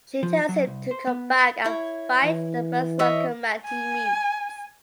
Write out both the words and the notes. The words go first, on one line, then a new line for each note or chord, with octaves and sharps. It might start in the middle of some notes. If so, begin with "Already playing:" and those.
She tells him to come back and fight the first local man he meets.
F3
F#3
C2
C5
B3
E4 C#5
E3
C#5 D#5 E5
G#5